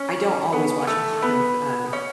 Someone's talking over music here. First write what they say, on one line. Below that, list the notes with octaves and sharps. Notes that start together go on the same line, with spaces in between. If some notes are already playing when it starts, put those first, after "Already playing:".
I don't always watch a lot of, uh,
Already playing: C#4
B3
A3
B3
C#4